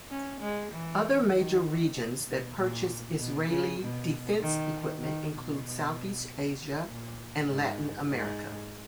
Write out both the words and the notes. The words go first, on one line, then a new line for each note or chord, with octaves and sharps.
Other major regions that purchase Israeli defense equipment include Southeast Asia and Latin America.
C#4
G#3
E3
D#3
B2
B2
A#2
B2
C#3
B2
D#3
D#3
B2
A#2
G#2
G#2